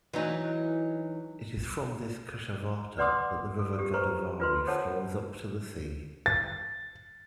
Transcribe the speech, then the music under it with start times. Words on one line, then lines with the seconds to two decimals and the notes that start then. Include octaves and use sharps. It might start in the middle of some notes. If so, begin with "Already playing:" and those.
It is from this Kushavarta that the river Godavari flows up to the sea.
0.13 E3 F#3 D#4
2.98 B4 D5 F#5 C6 D6 D#6
3.59 A4
3.79 G4
3.94 B4 C5 A#5 C#6
4.40 F4 B4 C6
4.67 A4 C5 C#5 F#5 A5
6.26 A6